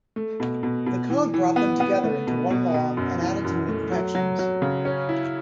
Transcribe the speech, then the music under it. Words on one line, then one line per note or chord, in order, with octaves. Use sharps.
The Code brought them together into one law and added some new protections.
A3
B2
B2
B2
E3
E3
B3
B3
A3
B2
B2
B2
F#2
E3
F#2
A3
F#3
F#3
F#3
C#3
C#4
E4